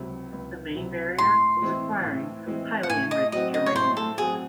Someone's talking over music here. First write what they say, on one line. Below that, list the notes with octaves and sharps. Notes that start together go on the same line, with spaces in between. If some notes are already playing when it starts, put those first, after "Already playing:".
The main barrier is acquiring highly enriched uranium.
Already playing: C#2 C3 F#3
C#2
C3 F#3
A2 C6
E3 G#3 C4 E4
A2
E3 G#3 C4 E4
F#5
A2 G#5
D#5
F#3 C4 F#4 D#5
D#5
C#5
A2 C5
A4
F#3 C4 F#4 G#4